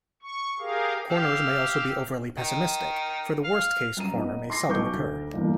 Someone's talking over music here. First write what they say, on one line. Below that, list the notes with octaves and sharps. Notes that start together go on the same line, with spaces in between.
Corners may also be overly pessimistic, for the worst case corner may seldom occur.
C#6
G4 G#4 A#4 F5
G4 F5 E6
D#3
F5
F#2 A#5 D#7
B3 D#4
C6 D6 A#6 C7
B1 B2 B4 C#6 D6 G6
D2
G1 E2 B2 A#3